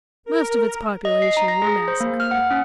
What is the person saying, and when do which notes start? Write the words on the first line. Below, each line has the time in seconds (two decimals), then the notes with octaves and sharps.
Most of its population were massacred.
0.25 A#4
1.05 D#5
1.22 C7
1.37 A#5
1.48 A#6
1.62 G#4
1.88 C5
2.00 A#3
2.20 F6
2.31 F#5
2.51 C#4